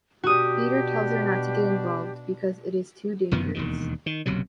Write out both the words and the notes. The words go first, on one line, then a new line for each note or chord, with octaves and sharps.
Peter tells her not to get involved because it is too dangerous.
B2 D4 F#4 G4 D#6
F1 F#2 D#3 B3
E1 D#2 D#3
D#3
F#1 B1 C3 F#3